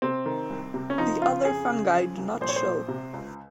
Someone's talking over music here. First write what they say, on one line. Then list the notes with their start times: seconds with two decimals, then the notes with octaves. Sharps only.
The other fungi do not show.
0.02 C3 C4
0.26 D#3
0.50 C2
0.74 C3
0.90 C#4
0.98 F3 D#4
1.21 C#3 F4
1.45 F2 G#4
1.70 C#3
1.93 F3
2.18 C2
2.41 A#1 C5
2.49 C#5
2.56 C5
2.65 A#1
2.88 C3
3.13 C#2